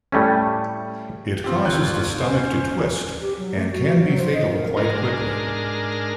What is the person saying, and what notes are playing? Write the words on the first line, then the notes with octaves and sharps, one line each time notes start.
It causes the stomach to twist and can be fatal quite quickly.
A2 G3 A3 C#4
C4 F4 G4
G#1 D#2 E6 F#6 G6
C#4 C5
G4
F#3
A3
F#4
F#3
C5
D#5
A#4
G#2 G#3 D4 A#4 F6